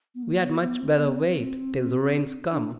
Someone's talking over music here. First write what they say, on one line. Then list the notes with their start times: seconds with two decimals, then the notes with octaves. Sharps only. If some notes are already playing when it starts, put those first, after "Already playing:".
We had much better wait till the rains come.
0.15 B3
0.23 A#3
0.42 B3
0.61 B3
0.80 C4
0.99 B3
1.18 C4
2.51 D4